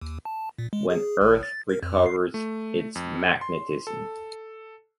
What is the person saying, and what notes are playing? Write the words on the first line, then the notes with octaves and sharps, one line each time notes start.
When Earth recovers its magnetism.
D#2
A5
A#2
G#3
G#4
G#1
A6
A#4
F2
C7
A3
F2
C6
A4